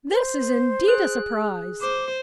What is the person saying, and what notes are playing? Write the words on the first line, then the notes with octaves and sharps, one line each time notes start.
"This is indeed a surprise!"
C5
G#4 F#6
C5 D6